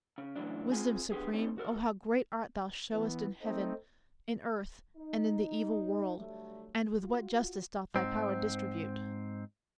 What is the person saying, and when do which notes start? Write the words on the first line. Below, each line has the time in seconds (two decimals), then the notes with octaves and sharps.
Wisdom supreme, O how great art thou showest In heaven, in earth, and in the evil world, And with what justice doth thy power distribute!
0.18 C#3
0.36 A2 C#3 E3 F#3 D4
0.72 C4 F4 G#4 G#5
1.12 D3 B3 F4 G4 G#4
1.33 G3 C4 C#4 D#4
1.58 F#4 A4 A#4
2.93 E3 B3
3.42 A3 C4 D#4
4.96 D#4
6.17 D3 F#3 G3 A3
6.99 F4 F#4
7.96 G#2 C4